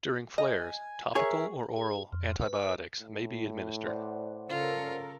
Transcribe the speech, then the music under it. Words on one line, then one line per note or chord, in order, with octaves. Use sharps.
During flares, topical or oral antibiotics may be administered.
D#5 G#5
G#4 A#4 C#5 E5 G#5
G#4
F2
B4
A2
C5 D5 F#5
C#3 F4 A4 A#4